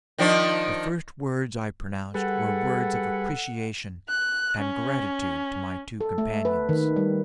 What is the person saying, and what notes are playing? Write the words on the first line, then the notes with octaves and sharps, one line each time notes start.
The first words I pronounced were words of appreciation and gratitude to my two companions.
D#3 F3 D4
G3 G#4 A4 B4 F#5
F#6
C#4
A4
A3
B4
D#3
G3